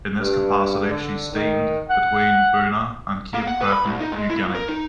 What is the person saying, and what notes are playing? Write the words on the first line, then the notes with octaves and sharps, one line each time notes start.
In this capacity, she steamed between Buna, and Cape Cretin, New Guinea.
G2
D3
D#3
F#5
A#3
F#5
B4
B5
C2
D#4
G#3
E4
A#2
A#4
D#4